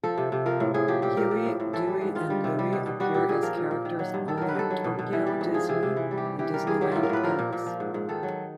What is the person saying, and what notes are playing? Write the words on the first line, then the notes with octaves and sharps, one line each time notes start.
Huey, Dewey and Louie appear as characters only at Tokyo Disney and Disneyland Paris.
F3 A4
C3
C3
F3 A#4
A2
A2 G#4
F3 G4
A#2 G4
A#2 A#4
F3
A2
A2
E3 A4
G3
G#2
D#3 F4
G3
C3
G3
B2
B2
G3 F#4
A#2 G4
A#2 G#4
F3 A#4
A#2
A#2
D#3
F#3
G2
D#3 A4
F#3 A#4
B4
G2 A4
F#3
B2
B2
E3
G3
G#2
F3 G#4
C3 G#4
C3
E3
G3
G4
G2
E3 G4
G3 A#4
G2 G#4
F#3 G4
A2 F4
A#4
A2 B4
F3 A#4
A#2
A#2
F3
G#2
G#2
D#3 A4
F#3